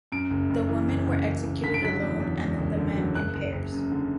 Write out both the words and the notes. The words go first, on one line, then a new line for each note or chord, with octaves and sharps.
The women were executed alone and then the men in pairs.
F#2 D7
F#1
F#1
E3
F#1
F#1
F#1
F#1
D3 B6
D7
F#3 B6
E2
E2
E2
F#1
D3
F#3
F#1 F#6
F#1
F#1
F#2
D3